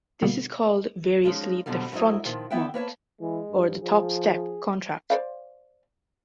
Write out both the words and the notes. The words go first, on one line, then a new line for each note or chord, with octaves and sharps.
This is called variously the "front" month or the "top step" contract.
B2 D3 G3 A#3 B3
F3 G#3 C#4 D#4
F2 B2 D3 F#3 G3
G#2 F#3 D4 E4 D#5
A#2 D#3 F3
B3 E4 E5 F#5 G5
A#3 B4 C#5 A5
E3 G#3
G2
F3 G#4
C5 D5 F5